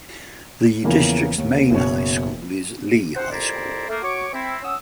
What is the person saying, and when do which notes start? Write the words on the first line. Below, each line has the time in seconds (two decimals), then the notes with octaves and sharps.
The district's main high school is Lee High School.
0.84 E2 C#3 E3 F3 A#3 B3
1.38 D#2
1.71 F#1 B2 C#5
3.15 C5 F#5
3.32 C2 F2 E4 C5 D5 A#5
3.89 A3 A#3
4.03 F#4 C#5 C#6 D6
4.33 C4 E4
4.62 C#4 F#5 D#6 E6